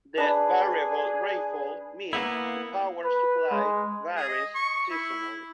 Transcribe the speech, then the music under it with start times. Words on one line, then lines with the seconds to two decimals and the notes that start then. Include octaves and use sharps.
The variable rainfall means the power supply varies seasonally.
0.18 D4 G#4 B4
2.13 A#3 B3 E4
3.04 B4
3.51 G#3
4.16 G#4
4.29 D#5
4.55 C#6
4.91 E4